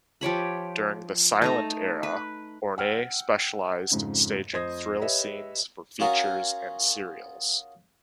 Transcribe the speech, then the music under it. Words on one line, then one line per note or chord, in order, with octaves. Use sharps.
During the silent-era Horne specialized in staging thrill scenes for features and serials.
F3 G4 C#5 B5
A3 D#4 A#5
B4
F#5 G5 E6 F6
F2 G#2 C#3
F2 C5 D#5 D#6 G#6 A#6
G4 B4 C#5 D#5 E5
C#4 F4 F#4 G#4 A#4